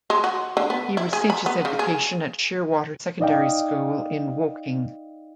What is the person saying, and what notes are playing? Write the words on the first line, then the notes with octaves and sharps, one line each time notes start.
He received his education at Sheerwater Secondary School, in Woking.
G#3
F#4
D3
B3
E4
G#4
B5
B3
C#3
G#4
D#4 D5 D#5 F5 G5